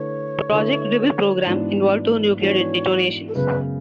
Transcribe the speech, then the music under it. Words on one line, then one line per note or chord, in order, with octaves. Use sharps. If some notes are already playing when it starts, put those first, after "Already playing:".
The Project Dribble program involved two nuclear detonations.
Already playing: D3 A3 E4 B4 C#5
D3 A3 E4 B4
G#2 E3 B3 D4 F#4
G#2 E3 B3 D4 F#4 C#5
A4
F#2 C#3 G#3 B3 B4